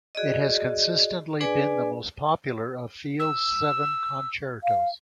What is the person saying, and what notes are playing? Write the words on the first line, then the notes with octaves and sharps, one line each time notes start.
It has consistently been the most popular of Field's seven concertos.
F#4 G#4 D5 D#5
D4 G#4 B4 D5 G#5
E6
F5